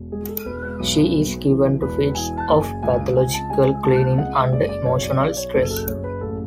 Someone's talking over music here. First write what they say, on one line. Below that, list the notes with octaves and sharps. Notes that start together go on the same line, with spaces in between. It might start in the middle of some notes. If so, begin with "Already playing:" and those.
She is given to fits of pathological cleaning under emotional stress.
Already playing: E1
G#3 G#4
A4
E1 B4
B4
B1
B1
E3
E1 B4
E3 G#5
A5
F#1
G#5
C#2 G#5
C#2 G#5
A5
G#3 G#5
C#2 A5
G#3 F#5
E5
F#1 D5
D5
B1 C#5
D5
B1 D5
C#5
F#1 A4
A4
F#1 C#5
B4
A1 A4